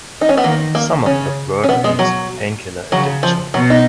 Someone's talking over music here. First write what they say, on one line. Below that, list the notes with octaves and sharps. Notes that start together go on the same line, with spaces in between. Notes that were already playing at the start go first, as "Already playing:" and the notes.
Some of that work deals with pain killer addiction.
D#4
C#4
B3
D#3 A#3
A#3
C#3 C#4
C#4
B2 B3
G#3
F#3
C#3 F#3
F3
B2 F#3
D#4